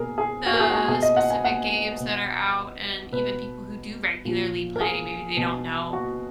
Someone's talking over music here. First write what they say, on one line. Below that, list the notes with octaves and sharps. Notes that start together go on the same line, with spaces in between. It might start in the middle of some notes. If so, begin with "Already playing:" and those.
the specific games that are out, and even people who do regularly play, maybe they don't know
Already playing: B2 G#4 A#4
G#4
F#4
A#4
G#4
F#4
G#4
B2 G#4
D#5
F#5
G#5
F#5
B2
B2 B4
A#2 F3
A#4
G#4
B2
F#4